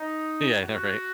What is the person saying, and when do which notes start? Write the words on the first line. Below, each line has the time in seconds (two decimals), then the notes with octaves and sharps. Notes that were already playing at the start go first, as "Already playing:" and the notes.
Yeah, I know, right?
Already playing: D#4
0.61 F#4